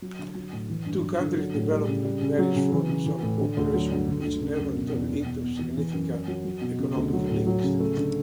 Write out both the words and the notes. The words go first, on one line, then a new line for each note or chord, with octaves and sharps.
Two countries developed various forms of cooperation which never turned into significant economic links.
F#3
D3
F#3
A2
E3
G2
F#3
D3
F#3
A2
G3
C#3
G3
C#3
F#3
C#3
E3
C#3
E3
A2
D3
D2
F#3
G2
D3
D2
C#3
F#2
B2
E2
B2
E2
B3
E3
E3
F#2
C#4
F#3
F#3
B2
C#3
D2
F#3
A2
F#3
C#3
A3
D3